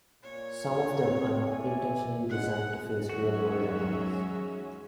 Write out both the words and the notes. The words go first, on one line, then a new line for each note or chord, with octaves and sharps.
Some of them are not intentionally designed to face real-world attacks.
A#2 C#5
C4
D5 E5 G#5
G#3 F#5
E2 D#3 F#3 G#3 C#4 F#4 E5